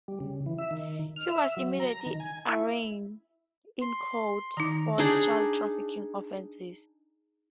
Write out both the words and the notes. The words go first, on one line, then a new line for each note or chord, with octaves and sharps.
He was immediately arraigned in court force child trafficking offences.
G3
C#3
E3
E5
D#3
F6
E5
F#3
A#5
D#3
G#5
E4
C6
D#3 D#4 A#5
D4 D#4 G#4